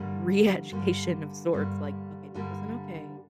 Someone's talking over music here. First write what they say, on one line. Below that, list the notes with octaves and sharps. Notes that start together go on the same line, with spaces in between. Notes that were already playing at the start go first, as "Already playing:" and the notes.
reeducation of sorts. Like, "Okay, that wasn't okay."
Already playing: G2 D3 G3 A#3
G2 D3 G3 A#3
G2 D3 G3 A#3
G2 D3 G3 A#3